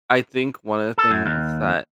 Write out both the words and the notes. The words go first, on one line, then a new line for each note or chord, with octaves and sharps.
I think one of the things that
A4
F#2
D#2